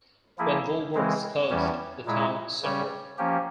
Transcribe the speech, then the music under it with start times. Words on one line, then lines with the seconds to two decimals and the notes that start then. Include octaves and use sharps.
When Woolworth's closed, the town suffered.
0.38 F3 A#3 E4 G#4
0.94 C#3 E3 G#3 C4
1.50 E2 E3 G3 C#4
2.06 A#2 G#3 E4 G#4
2.62 C#3 G3 C#4
3.18 F3 A#3 C#4 G4